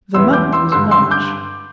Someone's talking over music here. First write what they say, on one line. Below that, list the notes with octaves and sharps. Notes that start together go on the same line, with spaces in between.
The month was March.
E2 C3 E3 C6 E6
D6 G6
C6 E6
G2 D3 C6 E6
C6 E6
D6 G6